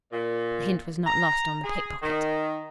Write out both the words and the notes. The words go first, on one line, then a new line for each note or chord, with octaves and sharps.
The hint was not lost on the pick-pocket.
A#2
A#5
G#4
D#3